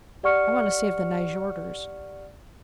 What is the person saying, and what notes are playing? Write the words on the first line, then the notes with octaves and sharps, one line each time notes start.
I want to save the Nyjorders.
G4 D5 F#5 C#6 F6 C#7